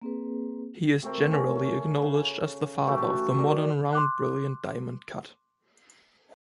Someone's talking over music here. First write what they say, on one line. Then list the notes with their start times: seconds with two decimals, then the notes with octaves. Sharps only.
He is generally acknowledged as the father of the modern round brilliant diamond cut.
0.02 A#3 C4 G#4 B4
1.03 C3 A3 C4 A#4
1.31 C#4
1.55 C#4
2.02 C#3
2.87 E3 A3 F#4 G4
3.38 A#4 D5
3.93 C6 D6 F#6